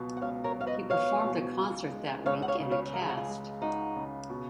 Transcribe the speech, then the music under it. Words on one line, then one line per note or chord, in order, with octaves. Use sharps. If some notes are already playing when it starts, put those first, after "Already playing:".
He performed a concert that week in a cast.
Already playing: C#2 B2 F#3 B3
F#5
C#2 C#5 F5
A#4 C#5
F#3
F5
B4 D#5
B3 C#5 F5
B2
C#2
G#3
C#2 C#5 F5
F#5
C#5 F5
C#3
C#5 F5
C#2 A#4
G#4
F#4
F4 G#4
G#3
C#2 D#4 F#4
C#3
B2